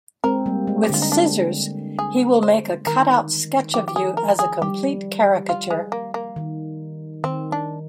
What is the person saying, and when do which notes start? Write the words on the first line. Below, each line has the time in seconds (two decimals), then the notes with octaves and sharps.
With scissors he will make a cutout sketch of you as a complete caricature.
0.24 G#3 C4 A#4
0.46 G3 A#3
0.67 G#3
0.83 G4
0.90 D3 F4
1.02 D#4
1.12 D4
1.99 G#4
2.43 C5
2.86 D#3 A#4
3.74 F3 G4
3.88 G4
3.96 G#4
4.17 A#4
4.39 G#4
4.62 G3 G4
5.49 F4
5.71 G#3
5.92 A#3
6.14 A#3
6.36 D#3
7.24 D#3 C4
7.52 D4